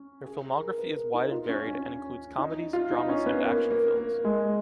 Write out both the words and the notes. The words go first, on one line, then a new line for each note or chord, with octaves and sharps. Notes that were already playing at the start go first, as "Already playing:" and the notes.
Their filmography is wide and varied, and includes comedies, dramas and action films.
Already playing: C#4
G#4
A#4
B4
A#4
D#4
F4
C#4
C#4
D#4
F4
D#4
C#4
B3
A#3
A#3
A#3
G#3